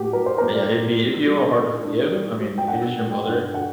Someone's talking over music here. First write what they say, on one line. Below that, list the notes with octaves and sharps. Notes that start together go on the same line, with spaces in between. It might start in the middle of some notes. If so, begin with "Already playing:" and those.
Uh, yeah, it'd be it'd be a little hard to forgive. I mean, it is your mother.
Already playing: A2 A#3 G4 F#5
F#3 A#4
C5
A#3 A#4
D5
A2
A#3
G3
D4
D4
G3
G3
G5
D4 F#5
A3
G5
G2
D3 F#5